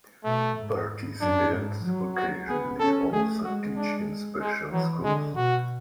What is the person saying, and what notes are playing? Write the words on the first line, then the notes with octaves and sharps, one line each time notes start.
Participants occasionally also teach in special schools.
B2 A3
G#2
F#2 D4
G#2
F#3
F#4
B3 G#4
C#4 A4
A3 G#4
G#3 F#4
D4
G#3
E3 F#3
D3 G#3
B2 F#4